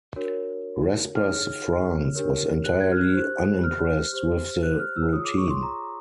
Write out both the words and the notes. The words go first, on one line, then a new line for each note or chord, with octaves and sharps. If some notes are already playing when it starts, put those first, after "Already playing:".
Respers France was entirely unimpressed with the routine.
D4 F#4 A#4 C#5
D#4 G#4 C#5 F6
D4 G4 A#4 C#5
F#6
G#6
F6
F#6
G4 C5 F#6
F6
G4 C5
F#6
F6
E6
F4 G#4 C#5 D#6
D6
C#6
C6
A#5